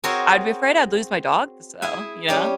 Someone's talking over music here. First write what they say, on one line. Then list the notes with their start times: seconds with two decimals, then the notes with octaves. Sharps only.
I'd be afraid I'd lose my dog, so, you know.
0.04 C4 F#4 G#4 A#4 C5 C#5
1.82 E4 G#4 E5
2.28 G3 C#4 G4